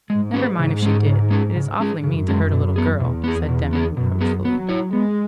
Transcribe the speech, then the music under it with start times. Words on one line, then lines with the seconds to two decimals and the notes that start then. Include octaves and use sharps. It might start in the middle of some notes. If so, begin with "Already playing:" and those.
"Never mind if she did; it is awfully mean to hurt a little girl," said Demi, reproachfully.
0.10 G#2 G#3
0.34 C#4 F#4 B4
0.59 C#3
0.82 G#3 C#4 G#4
1.06 C#3
1.30 G#3 C#4 G#4
1.56 C#3
1.80 G#3 C#4 G#4
2.03 F#2 C#3
2.28 G#3 C#4 G#4
2.52 B2
2.76 B3 G#4
3.00 E2 B2
3.24 B3 G#4
3.49 B2
3.73 B3 G#4
3.96 F#2 B2
4.21 B3 G#4
4.45 F#3 B3
4.69 E4 C#5
4.93 G#3 B3